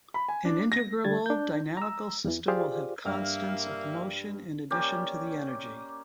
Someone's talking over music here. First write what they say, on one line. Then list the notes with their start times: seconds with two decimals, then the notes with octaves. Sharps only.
An integrable dynamical system will have constants of motion in addition to the energy.
0.14 B5
0.29 G#5
0.45 D4
0.72 A#6
1.04 D3 G3 G#6 A6
1.26 D4 G6
1.77 A#5 E6
2.24 E2 E3
2.48 F4 G4 G#4 C5 D5 F5
3.05 G2 A#3 E5 G5 F6
4.70 A#3 C#4 G4 D5